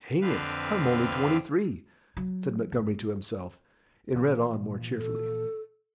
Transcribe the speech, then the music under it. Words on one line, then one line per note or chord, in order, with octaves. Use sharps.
"Hang it, I'm only twenty-three!" said Montgomery to himself, and read on more cheerfully.
F2 D3 C4 B4 F5
F#3
G1
A#2 E3 F3
A4